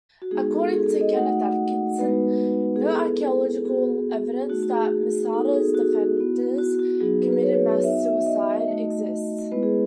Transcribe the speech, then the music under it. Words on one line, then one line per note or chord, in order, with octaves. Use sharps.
According to Kenneth Atkinson, no "archaeological evidence that Masada's defenders committed mass suicide" exists.
F#4
G#3 B3 D#4 G#4
A4
G#4
A4
D#5
A3 D#4 F#4 F#5
G#3 B3 D#4 F#4 B4
G#4
B3 E4 A4
B3 F#4 G#4
A3 D#4 F#4
F#4
G#4
B3 D#4 F#4 A4
G#4
F#4
B3 E4
F#4
F#4
F#3 B3 D#4 F#4 G#4
B4
B4
C#5
B3 D#4 F#4 E5
E5
D#5
A3 D#4 F#4
G#3 B3 E4 B4
G#4